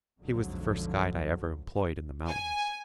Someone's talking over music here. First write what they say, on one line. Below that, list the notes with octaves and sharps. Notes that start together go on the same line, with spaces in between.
He was the first guide I ever employed in the mountains.
B1 F2 G#2 D3 F3 F#3
G#5